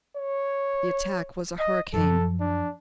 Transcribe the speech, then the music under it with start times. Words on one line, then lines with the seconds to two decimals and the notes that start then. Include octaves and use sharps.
The attack was a hurricane.
0.16 C#5
1.59 D#5
1.94 F#2 F3 A4
2.40 D4